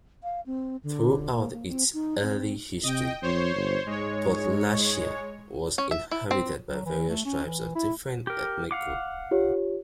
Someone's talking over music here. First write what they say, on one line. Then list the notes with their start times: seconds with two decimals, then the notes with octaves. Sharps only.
Throughout its early history, Podlachia was inhabited by various tribes of different ethnic roots.
0.23 F5
0.46 C4
0.83 D3
1.32 A#3
1.53 A#3
1.68 C4
1.94 D#4
2.22 C4
2.83 C3 D#5 G5
3.22 F2 C5 C#5 C6
3.56 G1
3.86 G#2 G#3 C#5
5.78 C#4
5.91 E5
6.11 E4
6.31 C4
6.70 F#3
6.86 E3
7.09 A3
7.25 C#4
7.46 E3
7.75 E4
8.27 G4 A#4
8.71 F5 F#5 D6
9.31 F4 G4 C#5